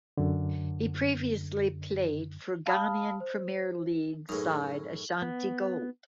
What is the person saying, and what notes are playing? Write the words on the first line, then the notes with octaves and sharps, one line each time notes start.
He previously played for Ghanaian Premier League side Ashanti Gold.
F#2 D3
F5 A5 B5 D#6 F6
C5
F#2 A2 D#4 G#4 B4
B3